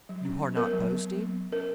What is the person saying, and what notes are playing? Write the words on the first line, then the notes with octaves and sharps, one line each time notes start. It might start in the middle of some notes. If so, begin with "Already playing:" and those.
"You are not boasting?"
F#3
C#4
F#3
B3 A#4
F#3
B3
F#3
F#3
F#3
C#4 A#4